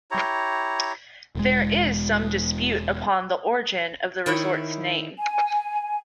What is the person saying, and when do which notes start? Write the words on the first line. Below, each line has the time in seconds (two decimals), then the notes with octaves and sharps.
There is some dispute upon the origin of the resort's name.
0.11 E4 G4 C#5 A#5
1.35 E1 G#3
4.26 D#3 E4 C#5
5.18 G#5